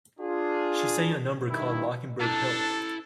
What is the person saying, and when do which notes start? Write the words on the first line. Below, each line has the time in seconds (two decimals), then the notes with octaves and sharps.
She sang a number called "Mockingbird Hill".
0.20 D4 F4 G#4
1.49 G2 D#3 E4
2.21 D4 E4 A4 A5 A#5